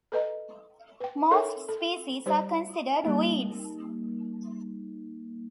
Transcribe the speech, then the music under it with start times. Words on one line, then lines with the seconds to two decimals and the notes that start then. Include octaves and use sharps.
Most species are considered weeds.
0.12 A4 B4 D#5 A#5
1.00 B4 G5
1.31 D#4 A4 A#4 C#5 E5
1.68 A4
2.26 G3 D#4 G4 C5 D5
3.04 G3 A#3 D#4